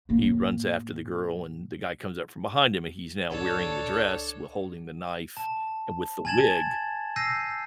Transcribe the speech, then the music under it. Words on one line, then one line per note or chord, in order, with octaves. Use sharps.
he runs after the girl, and the guy comes up from behind him, and he's now wearing the dress, while holding the knife and with the wig,
A2 A#3
C#2 A2 D4 A4 C#5
A5
G#5 A5 G#6 A6 E7 F#7
E6 G6 A#6 C7 D#7